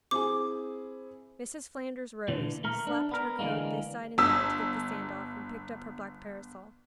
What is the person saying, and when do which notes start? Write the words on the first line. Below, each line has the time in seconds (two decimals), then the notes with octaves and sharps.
Mrs. Flanders rose, slapped her coat this side and that to get the sand off, and picked up her black parasol.
0.11 C4 E4 G#4 D6
2.28 A#2 D3 E3
2.64 A3 A#4
2.87 D4
3.11 B3 A#4
3.39 D3 E3 F#3 G#3 A#3
4.18 G1 E6 B6